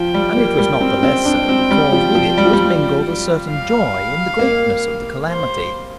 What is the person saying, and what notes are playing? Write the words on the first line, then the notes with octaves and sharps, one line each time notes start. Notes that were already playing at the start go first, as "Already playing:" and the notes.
And it was not the less so because with it was mingled a certain joy in the greatness of the calamity.
Already playing: F3 G5
G3
A#3
G3
C4
C4
D4
C4
G3
F3
F3
G3
F3
G3
F5
A#3
C5